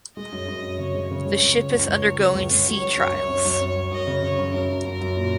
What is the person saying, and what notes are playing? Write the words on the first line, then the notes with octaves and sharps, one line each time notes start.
The ship is undergoing sea trials.
G#3 D#5
F#2
F#2
F#2
C#3 C#5
G#3
C#3
G#3
C#2
C#3
C#2
C#2
C#2
C#3
C#2
C#2
F#3 C#5
F#3
F#2
F#2
C#4
F#2
C#4
F#3
F#2 D#5
C#3
C#3 C#5
F#2
F#2 A#4
F#2
F#2
F#2
A#2